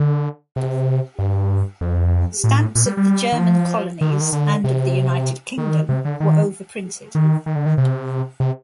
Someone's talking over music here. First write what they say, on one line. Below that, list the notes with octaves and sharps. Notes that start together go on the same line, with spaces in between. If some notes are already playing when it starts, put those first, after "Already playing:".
Stamps of the German colonies and of the United Kingdom were overprinted.
Already playing: D3
C3
G2
F2
A2
A#2
G3
G3
D#3
F3
D#3
D3
D#3
D3
C3
D#3
C3
D3
D#3
D#3
D#3
D3
D#3
C3
C3